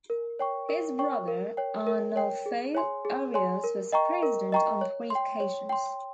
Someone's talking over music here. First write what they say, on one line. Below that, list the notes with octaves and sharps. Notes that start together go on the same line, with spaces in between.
His brother Arnulfo Arias was president on three occasions.
A#4
C#5 G5 C#6
A#4
C#5 G5 C#6
A#4
C#5 G5
A#4
C#5 G5
G#4
C#5 G#5 C6
G#4
C#5 G#5 C6
A#4
D#5 G5 A#5 C#6
A#4
D#5 G5 A#5 C#6
C#5
G5 C6
C#5
G5 C6